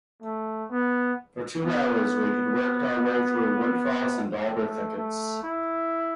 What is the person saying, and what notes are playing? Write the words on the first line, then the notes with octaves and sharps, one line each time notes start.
For two hours we had worked our way through windfalls and alder thickets.
A3
B3
B3
A3
A3
E4